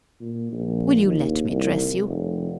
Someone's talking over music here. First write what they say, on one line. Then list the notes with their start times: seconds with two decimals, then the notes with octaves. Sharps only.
Will you let me dress you?
0.21 A#2
0.53 A#1
1.03 D#2
1.48 C2
2.07 F1